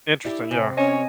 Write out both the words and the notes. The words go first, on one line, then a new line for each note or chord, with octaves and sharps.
Interesting, yeah.
D4 E4 G4
C3 G#5
C#4 C#5 D#5 G#5